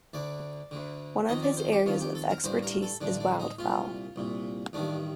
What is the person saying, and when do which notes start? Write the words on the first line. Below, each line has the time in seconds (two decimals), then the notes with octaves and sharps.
One of his areas of expertise is wildfowl.
0.13 D2 D3 D5
0.71 D2 D3
1.29 F2 D#3 D#5
1.43 D5
1.57 C5
1.72 G4
1.86 F2 D#3 F4
2.01 G4
2.15 A4
2.29 A#4
2.44 A1 G2 D3 C5
2.63 A#4
2.82 A4
3.01 A1 G2 D3 D4
3.20 D4
3.40 D#4
3.59 C2 A#2 F4
4.16 C2 A#2
4.73 A1 G2 D#3 D4